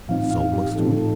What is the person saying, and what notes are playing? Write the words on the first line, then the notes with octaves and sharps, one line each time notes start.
"So must we."
A2 F3 C4 D#4 F5
F5
G4
A2 F3 C4 D#4 A4
A4